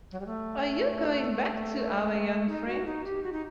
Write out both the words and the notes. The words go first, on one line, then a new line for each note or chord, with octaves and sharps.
Are you going back to our young friend?
F#3
G3
A3
D#4
F#4
D#4
G4
F#4
D#4